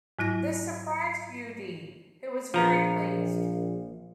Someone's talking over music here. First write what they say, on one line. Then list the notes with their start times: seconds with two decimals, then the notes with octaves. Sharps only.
This surprised Yu Di, who was very pleased.
0.19 G#2 F#3 E4 A#6
2.54 A#1 F3 A#5